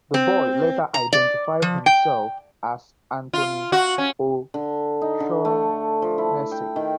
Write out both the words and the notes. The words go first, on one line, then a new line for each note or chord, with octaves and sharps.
The boy later identified himself as Anthony O'Shaughnessy.
C4
A#5
D5
F3
G5
F4
F#4
C#4
D3
D#4
D3
A3
F3
E4
G5
D#3